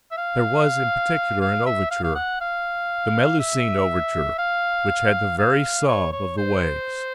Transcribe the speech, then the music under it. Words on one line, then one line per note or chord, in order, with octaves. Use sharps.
There was in particular an overture--the Melusine overture--which had the very sob of the waves.
E5
F5
F5
E5
F5
F5
F#5
F5
E5
F5
F5
C#5
C#5
C5